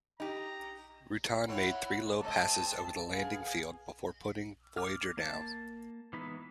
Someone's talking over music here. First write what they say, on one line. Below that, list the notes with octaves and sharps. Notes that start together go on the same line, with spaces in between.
Rutan made three low passes over the landing field before putting Voyager down.
D#4 G4 A#5
C4 E4 C#5 F#5 B5
G#3 C4 D#5 A5
B3 G#4 F5
D6 F6
A#3 A5
E3 G#3 B3 D#4 B4